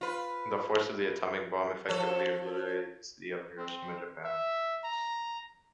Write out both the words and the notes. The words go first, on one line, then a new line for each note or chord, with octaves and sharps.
The force of the atomic bomb effectively obliterated the city of Hiroshima, Japan.
F4 B4
F3 A4 C#5
C4
E5
A#5